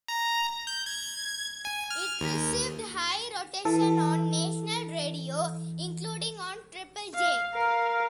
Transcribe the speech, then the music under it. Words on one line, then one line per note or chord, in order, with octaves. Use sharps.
It received high rotation on national radio, including on Triple J.
A#5
G6
G#6
G#5
F6
D#2
E3 A4
F5
A#4 F5